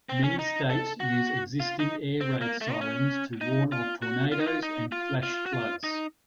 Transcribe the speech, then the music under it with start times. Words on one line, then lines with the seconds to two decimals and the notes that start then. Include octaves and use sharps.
Many states use existing air raid sirens to warn of tornadoes and flash floods.
0.09 C4
0.24 C#4
0.39 D#4
0.70 A4
1.00 F#4
1.60 F4
1.80 D#4
2.21 C4
2.41 A#3
2.61 A3
2.73 D#4
2.81 C#4
3.41 D#4
3.72 F4
4.02 F#4
4.32 F4
4.40 D#4
4.48 F4
4.63 D#4
4.92 F4
5.23 F4
5.46 F#4
5.53 F4
5.84 D#4